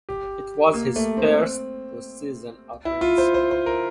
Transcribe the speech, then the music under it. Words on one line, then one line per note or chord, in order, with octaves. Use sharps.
It was his first postseason appearance.
G4
A#3
A3
C4
E4
F4
C5
C5
C5
A#4